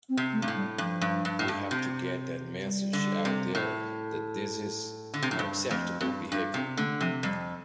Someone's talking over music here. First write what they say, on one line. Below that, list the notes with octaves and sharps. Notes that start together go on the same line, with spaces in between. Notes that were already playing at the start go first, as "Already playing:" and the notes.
We have to get that message out there that this is unacceptable behaviour.
C4
C3
A3
G2
A2
G3
G2 F3
G2
G2
A2
G2
C3
G3
D3
C3
A2
D3
C3
A2 F3
G2 G3
F2 A3
G2 C4
G2 D4
C3 C4
D3 A3
C3 F3
F2 G3